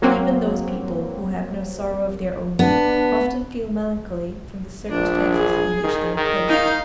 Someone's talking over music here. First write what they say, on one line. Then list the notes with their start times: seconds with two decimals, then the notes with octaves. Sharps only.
Even those people who have no sorrow of their own often feel melancholy from the circumstances in which they are placed.
0.02 F#3 A#3 C4
2.59 B3 D4
4.90 A#1 D4
5.34 G#4
5.84 D#3
6.17 D#3
6.48 D#4 F5